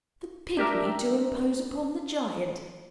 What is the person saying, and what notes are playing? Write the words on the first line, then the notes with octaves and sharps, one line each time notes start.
The pigmy to impose upon the giant.
D4 G4 A#4 E5